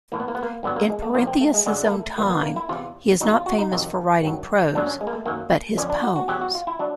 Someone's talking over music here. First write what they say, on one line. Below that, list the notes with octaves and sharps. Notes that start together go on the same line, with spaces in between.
In Parthenius' own time he is not famous for writing prose but his poems.
A2 E3 A#3
B3
A#3
B3
A#3
G2 D3 F#3 B3
A#3
G#3
A3
A#2 F3 A#3
C4
A3
G#3
F#2 D3 F#3 G#3
A#3
A3
G2 D3 F3 A#3
B3
A#3
E4
E2 C3 E3 F4
E2 B2 F#3 D#4
F4
F#4
D#4
F2 C3 D#3 F#3
G2 D#3 F#3
F#2 D3 F#3 D4
C#4
G#3
A#3
A3
F#2 D#3 F#3 A#3
F2 D3 F3 C#4
D4
F#4
F#4
E2 B2 F#3 G4
F#4
F4
E4
F#3 D4